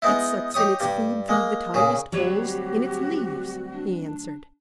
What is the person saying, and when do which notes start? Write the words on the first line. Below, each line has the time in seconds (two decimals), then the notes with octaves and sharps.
"It sucks in its food through the tiniest holes in its leaves," he answered.
0.02 G#3 B3 D#4 E4
0.54 D#4 G4 C#5 D#6
0.80 G2 G3
1.29 G#3 A#3
1.74 A#2 C#3 G#4
2.12 D2 F#3 G3 C4 F#4 G4 C#5
3.72 D4